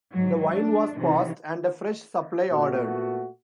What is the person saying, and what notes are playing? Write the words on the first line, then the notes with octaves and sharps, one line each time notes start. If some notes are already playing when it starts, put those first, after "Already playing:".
The wine was passed, and a fresh supply ordered.
G#2 F#3
D4
C3 D#3 E3
A#2 A3 B3 F#4